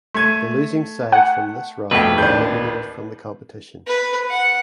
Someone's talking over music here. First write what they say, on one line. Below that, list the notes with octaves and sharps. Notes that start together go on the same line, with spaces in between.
The losing sides from this round were eliminated from the competition.
A3 G#6 D#7
F#5
F2 B2 A3 B4 E5 G5
A1 D#2 D4 G6
B4
F#5